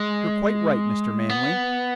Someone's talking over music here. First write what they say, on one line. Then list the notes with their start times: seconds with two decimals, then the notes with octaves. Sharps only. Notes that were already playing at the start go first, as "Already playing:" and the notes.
You're quite right, Mr. Manley.
Already playing: G#3
1.29 B3